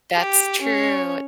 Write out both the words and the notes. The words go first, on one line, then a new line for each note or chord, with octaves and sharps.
That's true.
G4
C#4 C#5